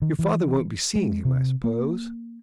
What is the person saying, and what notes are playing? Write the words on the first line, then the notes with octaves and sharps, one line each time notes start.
'Your father won't be seeing him, I suppose?'
D#3
E3
G#3
C3
A#3